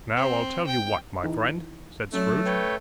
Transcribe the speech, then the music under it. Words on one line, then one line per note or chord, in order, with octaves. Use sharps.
'Now, I'll tell you what, my friend,' said Scrooge.
C4
G5
E3 D#4
F#3 A3 C#4 D4
B4 C#5 G5